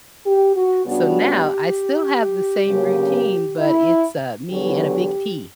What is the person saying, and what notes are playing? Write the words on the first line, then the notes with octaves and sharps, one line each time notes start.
So now I still have the same routine, but it's, uh, me and a big tea.
G4
F#4
C#3 G3 B3 D4 F#4
G4
D2 C#3 F#3 A#3 C#4
E4
E2 D3 F#3 B3 G4